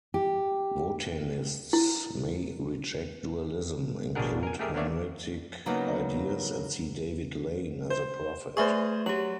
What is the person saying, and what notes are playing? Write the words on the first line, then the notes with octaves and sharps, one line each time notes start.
Wotanists may reject dualism, include Hermetic ideas, and see David Lane as a prophet.
G4
E4
A1 B2 D4 G#4 A#4 F#5
A#4 G#5
A3 G4 G#4 A#4 E5
A#3 B3 D4 C#5 D5 E5
C#3 F#3 A#3 B3 D#4
C5
A3 G#4 B4 C5 E5 C#6
F#3 G4 F#7